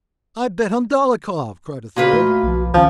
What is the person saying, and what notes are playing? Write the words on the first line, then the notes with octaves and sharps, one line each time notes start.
"I bet on Dolokhov!" cried a third.
A#2 F4 F#4 B4
A3
B1 F3
C#2 D#3 F3 C#4